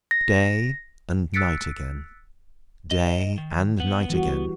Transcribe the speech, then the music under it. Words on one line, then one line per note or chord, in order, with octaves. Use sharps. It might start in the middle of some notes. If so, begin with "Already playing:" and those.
DAY and night again, day and night again.
A#6
E6 F#6 A6 B6 C#7 D7
D#5
D#3
B3 F#5
E3 G3 F#4